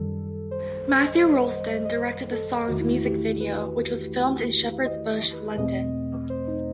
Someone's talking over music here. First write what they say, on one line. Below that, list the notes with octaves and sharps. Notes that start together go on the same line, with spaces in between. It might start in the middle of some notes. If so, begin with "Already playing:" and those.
Matthew Rolston directed the song's music video, which was filmed in Shepherd's Bush, London.
Already playing: F#2 D#3 G3 A4
C5
C5
D#5
C5
D#5
D#5
C5
A4
E2 D#3 A3 F#4
E4
F#4
G4
B4
D#5
D#5
B4
E2 B2 A3 C4 D#5
C5
D#4